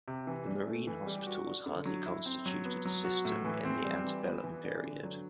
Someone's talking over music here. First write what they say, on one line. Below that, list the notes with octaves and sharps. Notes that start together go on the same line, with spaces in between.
The marine hospitals hardly constituted a system in the Antebellum period.
C3
E3
D4
A3
E3
G3
F#4
D4
D3
F#3
E4
C4
F#3
B3
F#3
F#4
A2
E3
C4
G3
E3
B3
E3
D4
D3
F#3